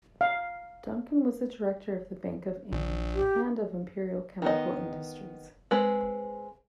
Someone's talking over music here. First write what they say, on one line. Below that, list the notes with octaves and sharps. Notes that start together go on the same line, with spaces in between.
Duncan was a Director of the Bank of England and of Imperial Chemical Industries.
F5
A#1
G4
D#3 B3 D#5
G#3 C4 B4